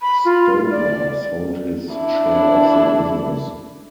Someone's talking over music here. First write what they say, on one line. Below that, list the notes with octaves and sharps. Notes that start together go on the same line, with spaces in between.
Stover sold his share of the business.
B5
F4
D5
D4 E4